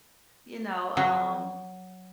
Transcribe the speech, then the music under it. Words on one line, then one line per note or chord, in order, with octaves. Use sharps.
you know, um,
F#3